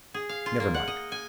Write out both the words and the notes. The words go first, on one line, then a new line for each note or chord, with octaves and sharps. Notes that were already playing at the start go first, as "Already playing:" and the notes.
Never mind.
G#4
F5
F4
A#3
F#5
D#5
G#5